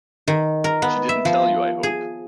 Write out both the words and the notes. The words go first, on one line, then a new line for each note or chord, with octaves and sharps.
She didn't tell you, I hope?
D#3
A#4
B3
E5
F3
G#4